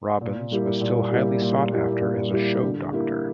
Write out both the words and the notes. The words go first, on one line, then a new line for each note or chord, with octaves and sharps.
Robbins was still highly sought after as a show doctor.
A#2
G3 A#3 E4 G4
A#2
G3 A#3 E4 G4
A#2
G3 A#3 E4 G4
A#2
G3 A#3 E4 G4
D3
A#3 E4 G4